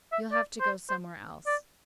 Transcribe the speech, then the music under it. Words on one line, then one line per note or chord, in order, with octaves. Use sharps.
"You'll have to go somewhere else."
E5
D5
C5
C5
D5